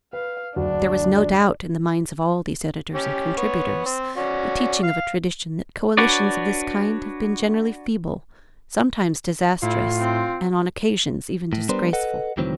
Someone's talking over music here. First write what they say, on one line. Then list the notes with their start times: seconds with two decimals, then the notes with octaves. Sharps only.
There was no doubt, in the minds of all these editors and contributors, the teaching of a tradition that coalitions of this kind have been generally feeble, sometimes disastrous, and on occasions even disgraceful.
0.13 B4 F5
0.56 F#1 D2 D4 F#4
2.95 C#4 G4
3.37 B3 C#5
3.86 C4
4.17 C#4 F#4 D5
4.83 F5
5.97 D4 F#4 B4 C#5 D5
9.63 A2 E4 F4
9.98 C4
11.53 A2
11.69 G3 B3 D4 A#4 C5
11.93 A4 B4 D#5 F#5
12.37 C#2 A2 D#3 E3 F#3 C4